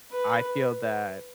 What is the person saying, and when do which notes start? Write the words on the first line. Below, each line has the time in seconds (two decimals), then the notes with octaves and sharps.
I feel that
0.12 B4